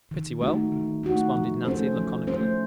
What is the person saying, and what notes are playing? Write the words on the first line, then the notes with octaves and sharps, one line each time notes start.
"Pretty well," responded Natty laconically.
D#3
A3 D#4 F#4
D#3
A3 D#4 F#4
F3
A3 C#4 A4 C5
F3
A3 C#4 A4 C5